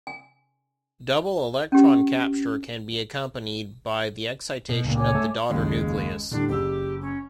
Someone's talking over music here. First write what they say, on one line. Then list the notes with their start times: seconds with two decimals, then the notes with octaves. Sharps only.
Double electron capture can be accompanied by the excitation of the daughter nucleus.
0.07 G#5
1.72 C#4 G4
4.69 B2
4.84 C#2 A#2
4.96 C#5 G#5 D6
5.15 A3
5.50 F#1 D#2 G#3
6.31 A2 D3 G3 D4
6.49 F#1 G4 E6
7.01 C#4